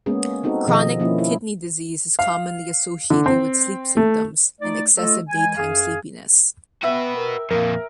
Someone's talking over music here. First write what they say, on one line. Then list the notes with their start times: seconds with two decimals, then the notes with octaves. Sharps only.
Chronic kidney disease is commonly associated with sleep symptoms and excessive daytime sleepiness.
0.06 G#3 A#3 B3 C#4 G#4
0.43 B3 C4 D#4 F#4 A4
0.67 B2 D#3 F3 G#4 D#5
1.00 F3 A#3 C#4 E4 F4
1.18 E4
2.19 F5
3.10 D3
3.26 C4
3.97 A3
4.60 A3 D#4 D5
4.97 A3 F4 A4 D#5 E6
5.29 E3 G#3 G#5
5.56 F#2 G#4 F5 G#5
6.83 B3 F#4 B4 E5 G5
7.16 A#4
7.51 F2 A#2 A#3 A#4